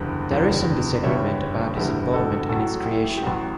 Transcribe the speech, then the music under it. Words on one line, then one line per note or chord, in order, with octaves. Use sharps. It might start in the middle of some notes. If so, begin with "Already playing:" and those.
There is some disagreement about his involvement in its creation.
Already playing: F#1 E2 D3 G3
F#1 E2 D3 G3
F#1 E2 D3 G3 C#5 E5
F#1 E2 D3 G3 E4 G4
F#4 A4
A1 A2 F#3 F#4 A4
F#4
E4 G4
G4
A1 A2 F#3 F#4